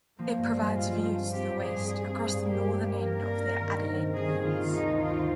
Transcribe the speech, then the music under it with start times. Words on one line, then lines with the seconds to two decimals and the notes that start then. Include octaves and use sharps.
It provides views to the west across the northern end of the Adelaide Plains.
0.19 F3 A#3
0.38 G2
0.48 A#3
0.57 G#3
0.75 G2 F4
0.95 F3
1.14 C4
1.32 C4 G4
1.51 G2
1.61 G#4
1.70 G2
1.89 C4 G#4
2.09 C4
2.27 G2
2.45 A#3 G4
2.65 A#3
2.84 A#3
3.03 A#3 A#4
3.21 D4
3.40 D4
3.60 D#3
3.78 C3
3.97 D#3
4.16 D#3 G#4
4.35 D#3
4.44 F4
4.53 D#3
4.73 D2 D#4
4.92 D2
5.00 F4
5.10 C4